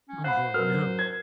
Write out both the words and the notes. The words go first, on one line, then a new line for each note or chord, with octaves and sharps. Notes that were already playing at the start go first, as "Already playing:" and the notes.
Oh, no.
C#4
C5 F5 F#5 B5 F#6
F#2 F#4 A#4 B4 F6
G#6